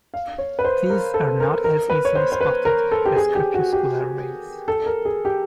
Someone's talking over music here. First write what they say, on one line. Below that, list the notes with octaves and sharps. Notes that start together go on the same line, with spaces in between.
These are not as easily spotted as crepuscular rays.
F5
C#5
B4
C5
A#4
A4
A#4
A#4
B4
C#5
C5
C5
B4
A#4
A4
G4
G#4
G4
F#4
G4
A4
A#4
G#4
G4